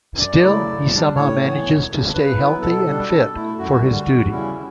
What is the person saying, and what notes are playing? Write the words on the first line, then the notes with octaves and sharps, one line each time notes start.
Still he somehow manages to stay healthy and fit for his duty.
F#2 D5
C#3 F#3 A3 E4
C#3
G3 D4
A2 C#5
E3 B3
F#2
C#3 G3 D4
C#3 B4
F#3 B3 E4
B2 A4
G3 D4
B2
A3 E4
F#2 F#4
D3 G3
E2
C#3 G3 C#4 E4